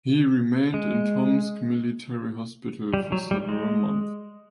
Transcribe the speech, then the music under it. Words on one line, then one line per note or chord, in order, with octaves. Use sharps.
He remained in Tomsk military hospital for several months.
G#3
G3
F#3
G3
G#3